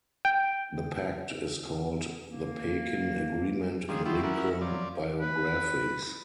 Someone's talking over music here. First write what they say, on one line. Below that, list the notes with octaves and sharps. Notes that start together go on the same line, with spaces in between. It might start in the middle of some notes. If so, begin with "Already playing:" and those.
The pact is called the Pekin Agreement in Lincoln biographies.
G5
A#3
D#3 F3 G3 G#4
F#3 E4 F4 G4
C#4 E4 F#4 A#4
F3 F#3 D5
B4